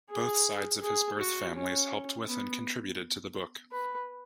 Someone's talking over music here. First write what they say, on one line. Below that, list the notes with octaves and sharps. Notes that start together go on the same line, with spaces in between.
Both sides of his birth families helped with and contributed to the book.
G#4
G#4
F#4
C#4
B3
B4